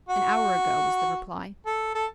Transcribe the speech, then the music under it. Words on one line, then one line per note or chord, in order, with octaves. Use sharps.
"An hour ago," was the reply.
F#4
A4
A4